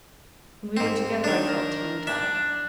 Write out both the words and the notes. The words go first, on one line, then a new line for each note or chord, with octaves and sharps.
When we were together I felt tongue-tied.
G#2 C4
D#3 D4
A#4
D4 E5